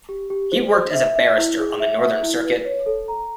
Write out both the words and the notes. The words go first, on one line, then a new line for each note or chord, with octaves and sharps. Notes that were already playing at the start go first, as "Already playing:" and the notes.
He worked as a barrister on the Northern Circuit.
G4
G4
C5
C5
E5
E5
E4
G#4
E5
E5
E4
B4
C#5
A4
A#5